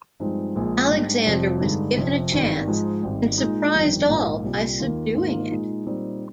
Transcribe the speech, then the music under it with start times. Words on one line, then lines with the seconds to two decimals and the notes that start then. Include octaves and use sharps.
Alexander was given a chance and surprised all by subduing it.
0.20 G2 F3 G#3 C4 D#4
0.55 A#1 A#2 G#3
0.90 G#2 G3 D4
1.25 F1 F2 C3 G3
1.61 G2 D3 G#3 D#4
1.97 F1 F2 C3
2.32 G#1 G2 D#3 G3
2.68 G#2 F3 G#3 D#4
3.02 G#1 G#2 G3
3.38 A#2 G#3 D#4
3.74 G1 F2 D#3 G3
4.09 A#1 G#2 F3 A#3 F4
4.44 C2 A#2 G3
4.79 D#2 D#3 A#3 F4
5.14 G#2 D#3 A#3 F4
5.50 A#2 G#3 D#4
5.86 A#2 G3 C4 D#4